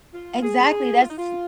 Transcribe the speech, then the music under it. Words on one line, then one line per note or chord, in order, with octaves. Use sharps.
Exactly, that's
F4
G#4
F4
D#4
F4